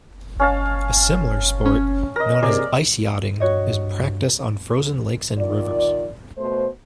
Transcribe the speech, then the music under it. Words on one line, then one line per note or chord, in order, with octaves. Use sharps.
A similar sport, known as ice yachting, is practiced on frozen lakes and rivers.
C#4 F5 A5
C#4
A#4 D#5 A#6
C3 A#3 G#4 D5
G2 F#4 C#5 D#5
D#3 F4 D5
B2 A3 C5